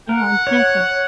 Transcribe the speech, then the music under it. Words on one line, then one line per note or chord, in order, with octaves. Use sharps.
Yeah, exactly.
A#4 F#5
C#5